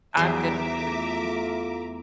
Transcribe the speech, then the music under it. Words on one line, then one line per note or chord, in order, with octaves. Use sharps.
I'm good with everything.
E2 F#3 G3 E5 A#5 C6 D6
A3 F4